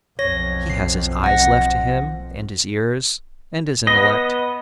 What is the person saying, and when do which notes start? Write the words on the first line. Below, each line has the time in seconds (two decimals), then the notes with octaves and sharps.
He has his eyes left to him, and his ears, and his intellect.
0.19 B1 F2 C#5 A#6
0.70 C7
1.24 F#5 A#6
3.87 B3 D#5 A#6